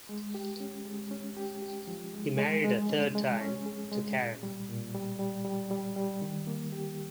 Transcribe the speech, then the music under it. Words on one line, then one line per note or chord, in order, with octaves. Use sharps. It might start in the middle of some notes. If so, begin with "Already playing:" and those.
He married a third time, to Karen.
G#3
G4
C#4
G#3
C#4
G4
G4
F3
G#3
G#3
G#3
C#4
G#3
C#4
G#4
G#3
A#2
G3
A#2
G3
G3
G3
G3
G3
D#3
A#3
G4